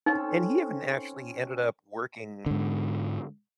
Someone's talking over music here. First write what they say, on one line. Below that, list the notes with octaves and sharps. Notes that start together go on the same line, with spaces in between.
and he even actually ended up working
C4 C#4 D#4 A4
G#2 D3